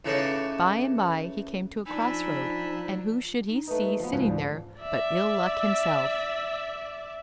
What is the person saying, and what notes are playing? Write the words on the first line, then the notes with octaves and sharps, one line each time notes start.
By-and-by he came to a cross-road, and who should he see sitting there but Ill-Luck himself.
A2 C#3 E3 D#4 C#5 D5
F3 D4 D#4 G#5 B5 E6
D#4
A3 D#4 B4
E4
F3 B3 F#4
C#2 G#2 F3
D5
D5 E5